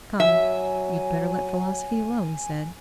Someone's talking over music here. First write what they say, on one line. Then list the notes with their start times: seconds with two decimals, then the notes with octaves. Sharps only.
"Come, you'd better let philosophy alone," he said.
0.20 F#3 E5 G#5